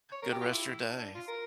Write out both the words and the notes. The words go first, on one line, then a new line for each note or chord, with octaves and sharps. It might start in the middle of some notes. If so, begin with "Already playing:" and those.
good rest of your day.
C#5
A#4
G4
F4
E4
D4
F4
A#4